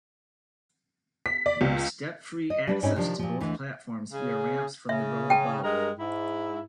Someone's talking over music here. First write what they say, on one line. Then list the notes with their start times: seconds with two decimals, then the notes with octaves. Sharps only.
There is step-free access to both platforms via ramps from the road above.
1.26 B6
1.46 D5
1.61 C#2
2.50 D#5
2.67 G3 D4 B4
2.83 G#2 C4 C#4 D#4 E4
2.96 C3 D#3 F3 D4
3.19 A#2 F3
3.40 D2 E3 G#3 A3
4.12 C#3 G#4
4.89 C#3 E5
5.30 G5 A5
5.62 G2 G#3 A#4
5.98 G#2 E4